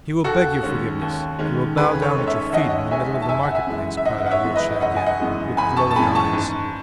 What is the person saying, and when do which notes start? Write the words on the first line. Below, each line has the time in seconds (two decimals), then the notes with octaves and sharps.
"He will beg your forgiveness, he will bow down at your feet in the middle of the market-place," cried Alyosha again, with glowing eyes.
0.24 D#2 F#4 A4
0.63 D#3 G#3 C#4
1.02 D#2
1.39 D#3 G#3 C#4
1.77 D#2 G#4 B4
2.02 A4 C#5
2.16 D#3 G#3 C#4
2.27 C#5 E5
2.53 D#2 D#5 F#5
2.91 D#3 G#3 C#4 E5 G#5
3.22 A5
3.29 F#1 E5 G#5
3.43 F#5
3.55 E5 G#5
3.67 F#2 E3 G#3
3.97 E5
4.05 F#1 D#5 F#5
4.26 F#5
4.31 C#5 E5
4.44 F#2 E3 G#3
4.56 B4 D#5
4.81 F#1 D#5 F#5
4.97 G#5
5.06 D#5 F#5
5.20 F#2 E3 G#3
5.57 F#1 G#5 B5
5.76 A5 C#6
5.91 A5
5.96 F#2 E3 G#3 G#5 B5
6.15 A5 C#6
6.33 G#2